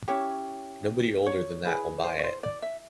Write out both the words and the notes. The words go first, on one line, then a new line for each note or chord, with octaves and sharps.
Nobody older than that will buy it.
C#4 E4 G4 C#5
C#5
E4 G#4 B4
C5
C#5
C5
D5
E5